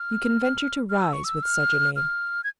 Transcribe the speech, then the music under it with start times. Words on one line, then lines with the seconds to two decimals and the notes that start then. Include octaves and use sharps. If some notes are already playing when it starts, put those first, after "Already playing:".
You can venture to rise with such a name.
Already playing: F6
0.90 F6
1.02 E6
1.13 C#6
1.24 E6
1.43 F6
1.96 F6
2.44 G#6